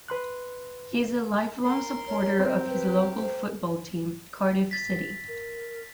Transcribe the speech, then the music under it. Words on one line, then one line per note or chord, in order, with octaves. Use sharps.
He is a lifelong supporter of his local football team Cardiff City.
B4 C6 F#6
A#4 C6
C#5
A#3 C4 G4
B4
C5
A6 B6
A#4